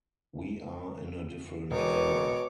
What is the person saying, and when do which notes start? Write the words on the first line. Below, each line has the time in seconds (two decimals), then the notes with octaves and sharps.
We are in a different era.
1.71 E1 B2 C#5 D6